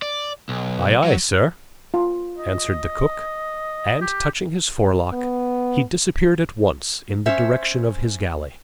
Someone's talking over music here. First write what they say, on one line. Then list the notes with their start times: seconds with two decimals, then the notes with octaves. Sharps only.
"Aye, aye, sir," answered the cook, and touching his forelock, he disappeared at once in the direction of his galley.
0.02 D5
0.49 B1
1.04 F#3
1.94 F4
2.38 D#5
4.01 G4
5.13 B3
7.26 C#4 C5 E5